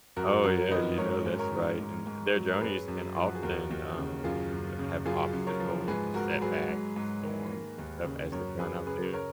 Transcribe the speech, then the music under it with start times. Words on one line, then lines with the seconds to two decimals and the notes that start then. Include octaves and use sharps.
Oh, yeah, you know, that's right. And and their journeys can often, um, r have obstacles and setbacks and storms and stuff as they run out there.
0.16 F#2 F#4 A#4
0.43 F#2 F#4 A#4
0.71 D#3 B4 D#5
0.98 G#2 A#4 C#5
1.26 G#2
1.39 A#4 C#5
1.52 D#3
1.80 G#2
2.07 G#2
2.34 F#3
2.53 A#4
2.61 F#2 G#4 B4
2.88 F#2
3.16 F3
3.26 F#4
3.35 G#4
3.42 D#2 F#4 A#4
3.70 D#2
3.97 C#3
4.24 F#2 F4 G#4
4.52 F#2
4.79 C#3
5.06 F#2 F4 G#4
5.33 F#2
5.46 A#4 C#5
5.60 F3
5.88 G#2 G#4 B4
6.14 G#2 F#4 A#4
6.41 F#3 G#4 B4
6.68 G#2
6.96 G#2
7.23 D#3
7.51 A#3
7.78 D#2
8.05 C#3
8.32 F#2 A#4 C#5
8.59 F#2 G#4 B4
8.86 C#3 G#4 B4
9.13 A#4 C#5